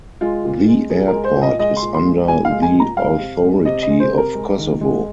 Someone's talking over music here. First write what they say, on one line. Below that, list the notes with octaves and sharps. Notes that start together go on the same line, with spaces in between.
The airport is under the authority of Kosovo.
G#3 F4
A#2
G#3
A#2 G#4
G#3 A#4
C5
A#2
D#5
G#3 D#5
C6
A#2
C6
G#3
A#2 G#5
F5
G#3
G#5
A#2
A#5
G#3 F5
C3
G#3
C3 D#5
D#5
G#3
C5
C3
A#4
G#3
D#3
G#3